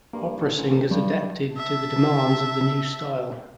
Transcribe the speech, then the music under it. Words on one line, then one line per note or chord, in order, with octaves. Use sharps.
Opera singers adapted to the demands of the new style.
G2 A#3
A4
A1
G2 F#3 G3
E5 A5